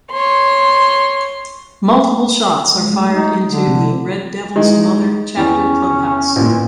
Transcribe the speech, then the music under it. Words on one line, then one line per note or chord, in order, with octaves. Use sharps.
Multiple shots are fired into the Red Devils Mother chapter clubhouse.
C#5 C6
G#3
F#3 A3
D#4
D3
C3 F3 C4
E3 G#3 D#4
E2 C#4
A1 A#2